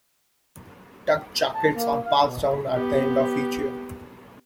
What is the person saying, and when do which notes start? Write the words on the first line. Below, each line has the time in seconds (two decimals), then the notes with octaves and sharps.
Duck Jackets are passed down at the end of each year.
1.55 A5
1.76 A#3
2.06 F5
2.23 B2
2.75 B3 G4